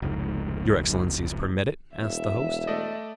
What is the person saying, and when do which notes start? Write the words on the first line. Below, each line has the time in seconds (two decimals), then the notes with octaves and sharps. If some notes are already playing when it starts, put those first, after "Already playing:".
"Your excellencies permit it?" asked the host.
0.02 F1 C#2 G#2
1.97 E1 E5
2.67 A3 D5 D#5